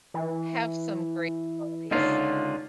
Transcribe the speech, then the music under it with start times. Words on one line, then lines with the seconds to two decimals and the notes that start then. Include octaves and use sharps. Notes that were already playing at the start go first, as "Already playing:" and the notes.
have some great holidays,
0.14 E3
1.91 C#2 D3 D#4 F4 C#5